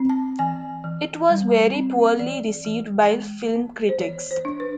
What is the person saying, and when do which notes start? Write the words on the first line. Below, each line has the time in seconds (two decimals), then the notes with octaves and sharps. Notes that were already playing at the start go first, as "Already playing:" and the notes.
It was very poorly received by film critics.
Already playing: C4
0.09 A5
0.39 E3 G#5
0.84 E3
1.30 G3
1.74 C4
2.19 E3 D5
2.65 E3
3.10 G#3
3.56 B3
3.89 C5
4.00 E3 C#5
4.31 C5
4.45 D4
4.60 B4